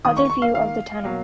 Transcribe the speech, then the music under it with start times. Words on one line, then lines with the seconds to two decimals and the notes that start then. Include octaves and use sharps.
Other view of the tunnel.
0.04 D#3 A#3 D#6
0.17 C#6
0.30 C#6
0.42 F5
0.55 D#3 A#3 F5
1.04 B2 F#3 A#3